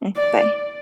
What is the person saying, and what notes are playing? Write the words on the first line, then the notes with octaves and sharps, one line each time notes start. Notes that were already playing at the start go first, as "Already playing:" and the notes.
Mm, bye.
D5